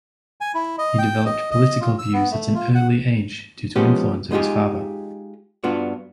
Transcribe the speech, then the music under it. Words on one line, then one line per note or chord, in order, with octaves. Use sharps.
He developed political views at an early age due to influence of his father.
G#5
E4
D#5
G5
D#5
D#5
F4
E6
B3
A3
F4
F#5
F3 G#3 B3 C#4 F#4 G4
G#3 B3 D#4 F4 G4 G#4
G2 B3 D4 F4 F#4